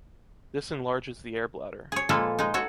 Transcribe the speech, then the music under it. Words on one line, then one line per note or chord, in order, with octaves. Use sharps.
This enlarges the air bladder.
G#4 C#5
A#2 F3 G#3 A#3 A4 B4
G#3 D#4
F#4 A4 C#5